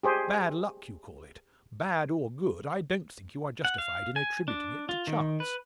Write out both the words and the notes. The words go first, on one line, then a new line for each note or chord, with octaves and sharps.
Bad luck, you call it. Bad or good, I don't think you are justified in attributing it to chance.
G4 G#4 C5
F#5
F5
G#5
D4
F4
D#3
B4